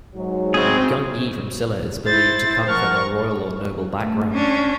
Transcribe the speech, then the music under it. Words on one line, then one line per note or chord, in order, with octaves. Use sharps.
Gung Ye from Silla is believed to come from a royal or noble background.
G#2 F#3
A2 C#3 G#3 C4 G#4
E4 C5 A6
F3 A#4 F#5 C#6 F6
A3
C#4 D4